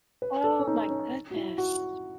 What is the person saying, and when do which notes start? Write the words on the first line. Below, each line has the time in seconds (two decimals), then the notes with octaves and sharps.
Oh, my goodness.
0.22 B4
0.44 A4
0.59 C#4
0.67 D#4
0.90 C#4
1.31 F#4
1.36 E4
1.58 F#4